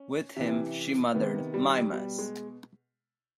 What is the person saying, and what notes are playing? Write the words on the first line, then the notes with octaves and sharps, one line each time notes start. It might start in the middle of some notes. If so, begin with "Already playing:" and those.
With him, she mothered Mimas.
Already playing: C#4
C3 E3
C3 D#3 B3
G3
B2 G3
G#3